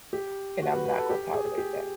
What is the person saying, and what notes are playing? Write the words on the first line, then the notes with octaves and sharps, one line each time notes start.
and I'm not gonna tolerate that.
G4
F#4
B4
B4
A4
G4
G#4
G#4
G4